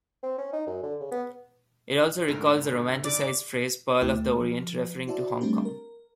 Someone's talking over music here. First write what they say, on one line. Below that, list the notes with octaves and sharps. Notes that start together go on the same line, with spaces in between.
It also recalls the romanticised phrase "Pearl of the Orient" referring to Hong Kong.
C4
C#4
D#4
F#2
D3
C#3
B3
D2 G#2 D3 A#4
D5 D6
D2 A3 E4 G5 D6
F3
E4 F#4 C5 D5 E5 A5
G3 A3 C4 D4 G4
A#4